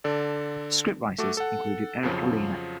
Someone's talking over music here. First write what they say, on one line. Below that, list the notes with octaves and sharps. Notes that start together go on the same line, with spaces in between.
Scriptwriters included Eric Ellena.
D3 A4 D5
A3 F#4 A4 D6
A4 F#5
F2 C#3 F3 F#3